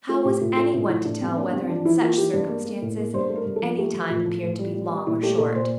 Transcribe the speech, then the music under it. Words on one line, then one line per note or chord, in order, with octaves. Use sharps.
How was anyone to tell whether in such circumstances any time appeared to be long or short?
A3 F4
A2 G4
A2 F4
A3 F4
A2 F4
A2 E4
A2 D4
G2 C4
A#3 D4
G2 C4
F3 D4
E3 E4
A#3 F4
E3 G4
G2
A#3
A#3
A2
A#3
G2 C5
A3
A#4
G2
A4
F3
A3 G4
F3
A2 F4
F3
A2
G3
G3
G3
A#2 E4
A3 G4
A#2 A4
A#2 C5